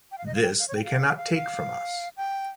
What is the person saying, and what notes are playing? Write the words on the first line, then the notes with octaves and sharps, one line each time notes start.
This they cannot take from us.
G5
F5
D#5
F5
G5
F5
C#5
G5
F5
F5
F5
G5